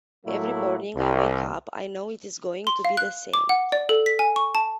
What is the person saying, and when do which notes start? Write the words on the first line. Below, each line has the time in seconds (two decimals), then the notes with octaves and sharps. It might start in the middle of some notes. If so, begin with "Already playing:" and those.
Every morning I wake up I know it is going to be the same.
0.25 A2 F#3 A3 A#3 E4
0.96 C2
2.67 C6
2.85 F5
2.97 F#6
3.34 D6
3.49 F#5
3.72 D5
3.89 A4
4.06 B6
4.19 G#5
4.36 C#6
4.55 A5